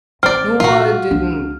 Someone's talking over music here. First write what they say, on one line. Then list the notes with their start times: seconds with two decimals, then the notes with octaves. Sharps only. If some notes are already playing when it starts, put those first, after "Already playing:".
No, I didn't.
0.23 A1 C4 D5 F6
0.60 A#1 F4 F#4
1.11 C#2 D4